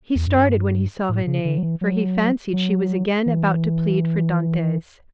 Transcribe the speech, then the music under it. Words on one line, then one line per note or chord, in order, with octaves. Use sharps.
He started when he saw Renee, for he fancied she was again about to plead for Dantes.
E2
F#2
G2
A2
C#3
D3
F#3
E3
F#3
F#3
E3